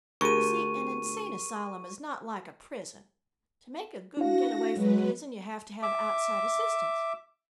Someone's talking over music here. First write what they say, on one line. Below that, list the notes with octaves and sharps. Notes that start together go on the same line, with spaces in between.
You see, an insane asylum is not like a prison; to make a good get-away from prison you have to have outside assistance.
D2 G4 G#4 A#4 C#6 D#7
D4 E4 F#4 F5 A#6
F#3 G#3 B4
E5 D6